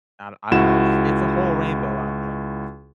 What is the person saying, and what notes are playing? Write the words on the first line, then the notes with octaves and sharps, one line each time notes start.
I do I don't know. It's just it's a whole rainbow out there,
C#2 E4 F#4 E7